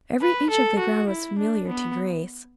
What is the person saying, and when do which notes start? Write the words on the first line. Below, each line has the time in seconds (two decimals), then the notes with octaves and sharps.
Every inch of the ground was familiar to Grace.
0.21 B4
0.51 A4
0.80 F#4
1.10 E4
1.39 D4
1.68 B3